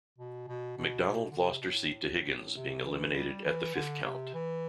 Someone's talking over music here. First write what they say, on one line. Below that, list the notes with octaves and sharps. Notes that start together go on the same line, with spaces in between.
McDonald lost her seat to Higgins, being eliminated at the fifth count.
B2
B2
B2
B2
D3
C3
B2
A2
C3
E3
G3
E3
D3
C3
E3